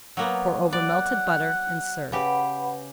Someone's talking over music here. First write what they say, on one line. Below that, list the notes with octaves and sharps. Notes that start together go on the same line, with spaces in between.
Pour over melted butter and serve.
F#3 A#3 B3
D5 F#5
C#3 G4 B4 F#5 B5